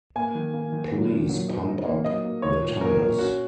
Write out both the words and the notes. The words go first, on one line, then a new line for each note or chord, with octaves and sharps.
Please pump up the tires.
A#3 G#5
D#3
A#3
D#3
F#3
A#2
F#3
D#4
D#4
A#3
F#3 D#5
A#3
D#4 C#5
A#2
A#3 A#4
A#2
C#4 F#4